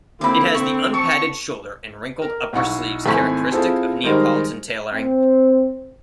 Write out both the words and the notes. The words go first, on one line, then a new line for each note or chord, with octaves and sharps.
It has the unpadded shoulder and wrinkled upper sleeves characteristic of Neapolitan tailoring.
D3 A#3 C4 E4 B5 D6
C4 C#6
A4 C#6
A#4
B1 E4 F#5 C#6
G#1 A3 E4 G#5 C#6 B6
C4 E4 F4 G#4 A4 C5
D#3 G3 G#3 A#4 C5 D#5
C4